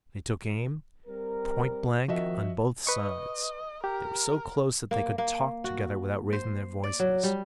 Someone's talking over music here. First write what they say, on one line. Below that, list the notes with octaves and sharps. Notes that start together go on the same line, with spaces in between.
They took aim, point blank, on both sides: they were so close that they could talk together without raising their voices.
G3 C4 A#4
F2 D#3 F3 F#4 D#5 E5
B4 D#5 C#6
G4 A#4
A#3
A#3
F#4
C5
D5
F#3
G3